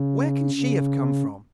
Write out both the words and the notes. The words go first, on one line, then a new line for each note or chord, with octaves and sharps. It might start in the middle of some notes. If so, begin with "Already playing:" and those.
Where can she have come from?'
Already playing: C#3
C#3